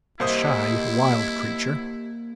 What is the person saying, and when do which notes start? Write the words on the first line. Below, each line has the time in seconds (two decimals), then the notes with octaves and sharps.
A shy, wild creature.
0.20 C2 A#3 E4 G4 C5 D#5 D#6